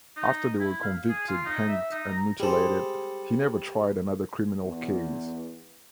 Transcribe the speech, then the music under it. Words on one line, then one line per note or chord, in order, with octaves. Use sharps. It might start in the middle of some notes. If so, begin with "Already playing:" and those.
After they were convicted, hanged and mutilated, he never tried another criminal case.
D#4
E4
F5
G#4
F4
D#4
E5
D#4
A#5
G3 G#4 A4 C5
E2